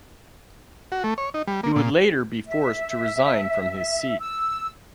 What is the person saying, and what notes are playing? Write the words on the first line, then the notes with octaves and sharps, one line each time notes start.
He would later be forced to resign from his seat.
F#4
A3
C#5
D#4
G3
A#3
A#2
E5
E6